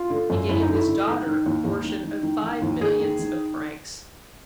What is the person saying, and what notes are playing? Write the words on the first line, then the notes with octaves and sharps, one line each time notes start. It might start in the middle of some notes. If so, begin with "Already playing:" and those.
He gave his daughter a portion of five millions of francs.
Already playing: F4
D3
F#2
F#2 E4
D#4
D3
E4
D3
D#3 D#4
D#3
D#2
D#2
D#3
D#3
D#3
D#3
D#2
D#2 G#4
D#3
D#3